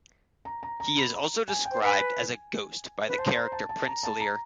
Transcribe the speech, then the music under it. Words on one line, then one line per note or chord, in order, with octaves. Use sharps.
He is also described as a ghost by the character Prince Lir.
A#5
A#5
A#5
B5
A#5
G#5
G5
C5
B4 G#5
B4
C5 A5
A#5
A5
A5
A#5
A5
A#5